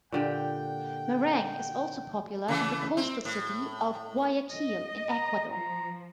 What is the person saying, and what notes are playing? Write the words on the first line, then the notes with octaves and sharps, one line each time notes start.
Merengue is also popular in the coastal city of Guayaquil in Ecuador.
A#2 D3 G4 F#5 G5
C#3 E3 A3
C4
A2
D#5
A#5
F3 A#5